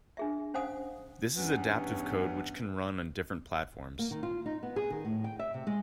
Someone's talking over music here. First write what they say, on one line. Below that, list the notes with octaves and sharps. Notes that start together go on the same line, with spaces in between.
This is adaptive code which can run on different platforms.
D4 G#4 E5
C#4 C5 F5 F#5 G#5 D#6
E2 G2 B3 C#4
A#3
D#3
F4
D#4
B3
G#4
D#3
A2
G5
E5
C3
G#3